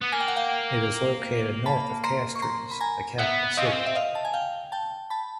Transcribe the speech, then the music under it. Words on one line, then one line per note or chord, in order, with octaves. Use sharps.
It is located north of Castries, the capital city.
B3
A#3 G#5
G5
F#5
F5 G5
A5 B5
A#5 C6
C#6
A#5 C6
B5
G#5 A#5
B3 E5 F#5
C4 D#5 F5
C#4
C4
E5
D#5 F5
A5
G#5
F5 G5
G5 A5
A5 B5